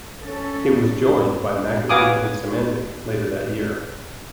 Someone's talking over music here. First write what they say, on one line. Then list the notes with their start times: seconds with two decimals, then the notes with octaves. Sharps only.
It was joined by McAfee and Symantec later that year.
0.23 C#4 A4
1.89 F#4 B4 F5 G#5 D6 D#6